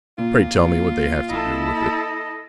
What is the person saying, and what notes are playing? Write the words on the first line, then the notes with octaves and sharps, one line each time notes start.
Pray tell me what they have to do with it?
A#2 F4
E4 A4 D#5